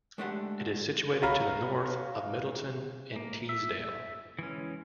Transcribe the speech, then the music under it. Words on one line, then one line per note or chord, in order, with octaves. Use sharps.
It is situated to the north of Middleton-in-Teesdale.
G#3 A3 D4 F#4 G4 F#5
F#4 C#5 F5 A#5 B5 F6
A#3
E5
E3 G#3 C#4